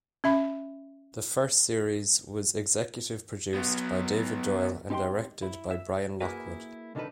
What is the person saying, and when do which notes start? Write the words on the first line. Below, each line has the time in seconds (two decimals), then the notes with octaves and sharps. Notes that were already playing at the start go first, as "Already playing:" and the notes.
The first series was Executive Produced by David Doyle and Directed by Brian Lockwood.
0.24 C#4 E5 B5
3.54 F#3 B3
4.90 C4 D#4 G4 F5 G5 C6
5.43 E4
5.71 E5
6.20 A#3 E4 F#4 G#4 A#4 B4
6.95 C2 D3 D#3 D#4 A4 B4